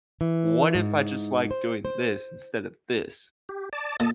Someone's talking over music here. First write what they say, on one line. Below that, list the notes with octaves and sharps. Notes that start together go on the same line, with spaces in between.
What if I just like doing this instead of this?"
E3
G#2
C5
C5
G4
D5 A5
A#2 A4 D#5 A5